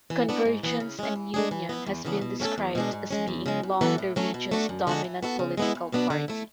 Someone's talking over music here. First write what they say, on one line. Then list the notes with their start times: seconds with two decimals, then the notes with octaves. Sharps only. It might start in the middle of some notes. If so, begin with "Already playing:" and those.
Convergence and Union has been described as being "long the region's dominant political party".
0.10 E3
0.29 B3 D4 A4
0.45 G#2
0.63 E3 B3
0.80 C#3
0.99 G#3 C#4
1.16 E3
1.34 G#3 D4 G#4
1.51 E3
1.69 B3 E4
1.86 E2
2.05 C#3 E3 B3 D4
2.21 B2
2.40 A3 C#4 F#4
2.45 A4
2.58 E2
2.75 B2 G#3 D4
2.93 G#2
3.10 G#3 C#4
3.28 E2
3.46 C#3 G#3
3.63 F#2
3.81 E3 B3 F#4 A4
3.98 A2
4.16 F#3 A3 C#4
4.34 B2
4.52 A3 D4 F#4
4.69 F#2
4.87 D3 G#3 D4 F#4
5.04 E3
5.23 B3 F#4 A4
5.39 C#3
5.58 G#3 B3 E4
5.75 E2
5.92 B2 F#3 B3 D4
6.10 D3
6.28 A3 E4